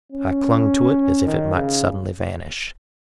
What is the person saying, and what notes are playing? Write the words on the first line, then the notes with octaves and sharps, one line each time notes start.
I clung to it as if it might suddenly vanish.
C#4
D#3
C#3